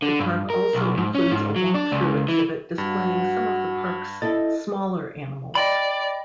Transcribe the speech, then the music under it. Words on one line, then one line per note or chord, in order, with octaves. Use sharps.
The park also includes a walkthrough exhibit displaying some of the park's smaller animals.
D3
G2
A#4
B1
G#2
C#4
G#2
F#3
D4
C#2
E3
G2 F#4
E4 A4 D#5 A6
D5 D#5 G5 B5